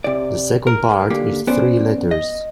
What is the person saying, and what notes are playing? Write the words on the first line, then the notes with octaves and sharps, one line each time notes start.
The second part is three letters.
C3 D5
A#4
D3 A#3 G4
B3 C#4 C5 D5
D#5